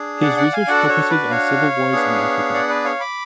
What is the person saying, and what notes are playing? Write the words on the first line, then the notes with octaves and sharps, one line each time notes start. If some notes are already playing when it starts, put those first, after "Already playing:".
His research focuses on civil wars in Africa.
Already playing: D4 G#4
D5 F#5
D5 F#5
F5 G#5
D4 F#4 A4 D5 F#5
A4 C#5
B4 D5
C#5 F5
B3 D4 G#4
D5 F#5
B4 D5
C#5 F5
B5 D6